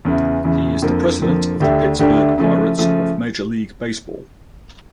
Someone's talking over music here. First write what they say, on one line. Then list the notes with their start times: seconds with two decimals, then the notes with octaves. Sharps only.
He is the president of the Pittsburgh Pirates of Major League Baseball.
0.05 E2 C#3 E3
0.44 E2 C#3 E3
0.82 F2 D3 F3 A#3
1.22 F2 D3 F3 A#3
1.60 D2 D3 A3 D4 G4
1.99 D2 D3 A3 D4 G4
2.38 C#3 F3 A3
2.78 C#3 F3 A3